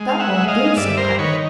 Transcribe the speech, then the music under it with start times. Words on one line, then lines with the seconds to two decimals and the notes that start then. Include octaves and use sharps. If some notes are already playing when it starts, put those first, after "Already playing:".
"That won't do," said Putney.
Already playing: G#3
0.09 F5
0.19 E5 F#5
0.34 G#3
0.48 D#5 F5
0.76 G2 D5 E5
0.97 A#4 C5
1.18 D#3 B4 C#5